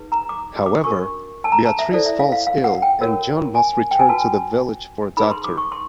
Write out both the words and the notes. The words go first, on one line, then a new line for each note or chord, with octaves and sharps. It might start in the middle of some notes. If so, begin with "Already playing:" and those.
However, Beatrice falls ill and John must return to the village for a doctor.
Already playing: D#4 G#4 B4
A#5
D6
D6
D4 F#4 A#4 C#6
A5
A#5
A5
E5
E4 A4 C5 D5
E5
F5
F5
F5
F#5
G5
F#4 A#4 C#5
G#5
G5
G#5
F#4 B4 A5
D#4 G#4 B4 B5
C6
D6
C#6
C6